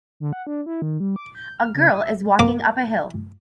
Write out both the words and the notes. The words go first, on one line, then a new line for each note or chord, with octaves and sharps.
A girl is walking up a hill.
D3
F#5
D4
E4
D#3
G3
D6
G6
F6
C#3
D#6
E5
A#3 D6